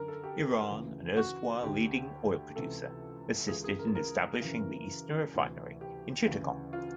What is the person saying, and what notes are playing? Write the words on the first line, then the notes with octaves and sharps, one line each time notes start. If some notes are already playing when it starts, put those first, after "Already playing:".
Iran, an erstwhile leading oil producer, assisted in establishing the Eastern Refinery in Chittagong.
Already playing: F#2 D3 A#4
A4
G4
D2 C#3 E3
F#4
D2 D3 G4
C#2 C3 E3 A4
C#2 C#3 E3 G#4
G#4
A#4
A#4
F#2 C#3 E3
D2 C3 E3
G4
D2 C#3 E3
F4